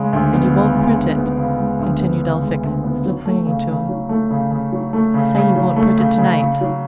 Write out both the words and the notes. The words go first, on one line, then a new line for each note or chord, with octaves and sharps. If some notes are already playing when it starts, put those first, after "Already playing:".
"And you won't print it?" continued Elphick, still clinging to him. "Say you won't print it tonight?"
Already playing: C#3 G#3
D2
B3
C#3
G#3
D2
B3
C#3
G#3
D2
B3
C#3
G#3
D2
B3
F#3
A3
C#3
C#3
F#3
A3
C#3
C#3
F#3
A3
C#3
C#3
F#3
A3
C#3
C#3
C#3
F#3